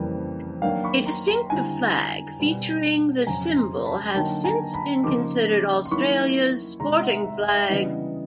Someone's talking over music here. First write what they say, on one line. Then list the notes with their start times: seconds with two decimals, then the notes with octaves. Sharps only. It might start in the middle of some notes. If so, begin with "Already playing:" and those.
A distinctive flag featuring the symbol has since been considered "Australia's sporting flag".
Already playing: F2 C#3 E3 G3 A#3
0.62 D#3 F#3 A#3 D4 F5 G5
0.84 B5 C#6
1.06 A#5 C6
1.27 A#5 C6
1.50 D3 G3 C4 E4 G#5 A#5
2.39 B2 G3 C4
3.27 F2 C#3 F#3 G#5 A#5
3.56 A#5 C6
3.85 A5 B5
4.14 D3 F#3 A#3 D#4 G5 A5
4.44 G#5 A#5
4.73 A5 B5
5.03 C#3 F3 A#3 D#4 C6 D6
5.85 C6
5.91 D#3 F#3 A#3 C#4 E4 B5 C#6
6.79 C3 D#3 G#3 A#5 C6
7.01 E5 F#5
7.24 E5
7.39 D#5
7.47 E5
7.68 C#3 E3 G3 B3 D4 D#5